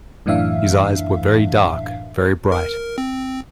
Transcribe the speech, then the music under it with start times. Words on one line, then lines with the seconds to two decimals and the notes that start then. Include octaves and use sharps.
His eyes were very dark, very bright.
0.26 F#2 A2 E3 D4 E5 F5
2.52 A#4
2.98 C4